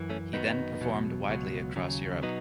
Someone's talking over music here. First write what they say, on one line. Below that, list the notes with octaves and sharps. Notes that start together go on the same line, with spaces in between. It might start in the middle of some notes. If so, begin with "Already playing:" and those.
He then performed widely across Europe.
Already playing: F#2 E3
A3 C#4
F#2 D#3 F#3 B3 D#4
E2 B2 F#3
C#2 B2 F#3
D#2 C#3 F#3
B2 F#3 B3 D#4